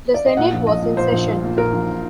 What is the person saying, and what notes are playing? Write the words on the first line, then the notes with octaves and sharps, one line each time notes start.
The Senate was in session.
D5
D#5
A#2 F#5
A#1
A#1 D#5
A#2
A#2 C5
A#1
A#1
A#2
A#2 A#4
A#1